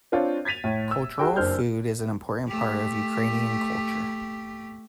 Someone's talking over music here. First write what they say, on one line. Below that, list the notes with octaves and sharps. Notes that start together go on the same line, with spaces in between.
Cultural food is an important part of Ukrainian culture.
C4 D4 F4 C5 C#5
G#6 A6 B6 D#7 F7
A2
E6
F#4 G#4 G5
F#1 D4 C5 F6 G6
A3 G4